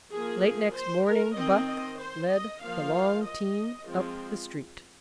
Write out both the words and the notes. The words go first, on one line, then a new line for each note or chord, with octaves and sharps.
Late next morning Buck led the long team up the street.
F3 A#3 G#4
C5
A#4
D#3 C4 D#5
D#5
C5
D#5
F3 A#3 F5
D#5
F3 G#3 C4